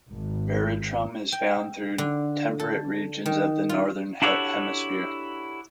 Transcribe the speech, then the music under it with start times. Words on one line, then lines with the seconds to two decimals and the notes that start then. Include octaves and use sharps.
"Veratrum" is found throughout temperate regions of the Northern Hemisphere.
0.10 G#1
1.32 G5
1.98 D3
2.60 A4
3.26 D#3
3.69 F4
4.22 D4 E4 F#4 G4 A4 C#5